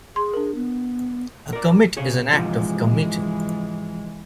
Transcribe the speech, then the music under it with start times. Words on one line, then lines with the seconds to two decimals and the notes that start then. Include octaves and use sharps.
A "commit" is an act of committing.
0.16 G#4 C6
0.34 D4 A#4
0.55 B3
1.53 A#4 D5
1.97 C3 G#4 C#5
2.33 G#2 C3 E3 F3 G#3